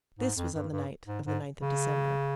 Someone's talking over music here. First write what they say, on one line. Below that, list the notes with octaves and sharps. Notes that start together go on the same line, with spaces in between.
This was on the night of the ninth of December.
G#2
F2
G2
G2
G#2
G#2
C#3